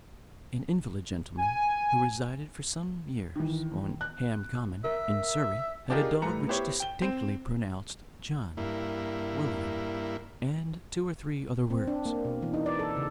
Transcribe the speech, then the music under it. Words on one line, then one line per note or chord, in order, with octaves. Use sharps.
An invalid gentleman, who resided for some years on Ham Common, in Surrey, had a dog which distinctly pronounced John, William, and two or three other words.
G#5
D#3 E3
F#6
A#4 E5
D4 D#4 F4 G4 G#4 A#4
A2 G3 A3 B4 A#5 C#7
B3 E4 G4 C5 C#5
G5 G7
C4
G2 A#3 E4
C4
D4
A#3
B2
E3
D#4
D5
A4
C#3